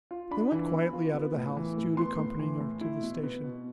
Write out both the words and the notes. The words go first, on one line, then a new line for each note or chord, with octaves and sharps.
They went quietly out of the house, Jude accompanying her to the station.
F4
D4 B5
E3
B3
F4
B3
A2
E3
A2
B3 C6
A2
E3
A2
E4
B2
B3
B2